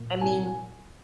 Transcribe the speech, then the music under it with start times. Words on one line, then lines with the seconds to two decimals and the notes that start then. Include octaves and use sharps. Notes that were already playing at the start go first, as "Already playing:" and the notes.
I mean
Already playing: A#2
0.21 C2 G#5